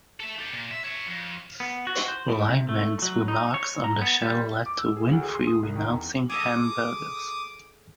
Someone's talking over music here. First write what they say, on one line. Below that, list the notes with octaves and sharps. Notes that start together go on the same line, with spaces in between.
Lyman's remarks on the show led to Winfrey renouncing hamburgers.
A4 E5
G4 A4
A#2
E5
C#5 E5
F2
B3
F#4
C5
A2
C3
A3
F#3
D#4
C#5
A#5
B3
G3
D6
E6
G#4
D2
G#4
C6
D#6
C2
D#3
E2
G#4 A4 D#5 D6 D#6